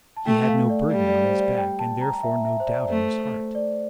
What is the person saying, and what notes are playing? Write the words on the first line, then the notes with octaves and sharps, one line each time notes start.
He had no burden on his back, and therefore no doubt in his heart.
A5
A3 G5
F5
D5
G3 D5
D5
C5
D5
G5
A5
A#5
E5
E5
C5
D5
A3 C5
D5